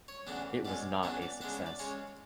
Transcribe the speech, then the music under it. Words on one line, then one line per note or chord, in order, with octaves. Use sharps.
It was not a success.
C#5
D2 C#3 E3 B3 D4
B2 G#3 C#4 D5
E2 C#3 E3 B3 D4 C#5
D5
C#3 G#3 B3 D4 E5
E5
D5
C#3 G#3 C#4 C#5